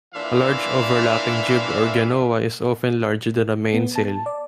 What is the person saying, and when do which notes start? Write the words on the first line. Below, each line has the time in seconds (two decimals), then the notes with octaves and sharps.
A large overlapping jib or genoa is often larger than the mainsail.
0.14 A#2 E3 D4 E5 F5
3.73 B3
3.96 A5
4.26 D5